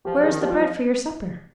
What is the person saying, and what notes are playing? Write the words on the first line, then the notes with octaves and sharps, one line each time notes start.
"Where is the bread for your supper?"
F3 G4
F3
G#4
D#3
F3 G4
G3 F4
F3